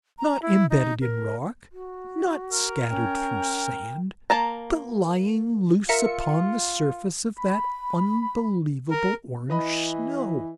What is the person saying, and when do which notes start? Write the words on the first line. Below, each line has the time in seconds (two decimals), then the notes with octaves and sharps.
Not embedded in rock, not scattered through sand, but lying loose upon the surface of that unbelievable orange snow!
0.19 A#5
0.42 E4
0.70 D#4
1.01 A#4
1.72 F#4
2.52 A#4
2.90 C#4 G5
4.30 A#3 A5 A#5
5.89 F4 A#4 E5 C#7
7.39 B5
8.90 A#4
9.50 E3 B4 D#5 B5